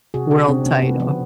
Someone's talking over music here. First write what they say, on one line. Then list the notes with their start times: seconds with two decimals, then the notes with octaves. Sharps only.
world title.
0.14 C3 F#4 G#4
0.31 C3 F#4 G#4
0.48 C3 C4 D4
0.66 C3 B3 C#4
0.82 C3 B3
1.00 F3 B3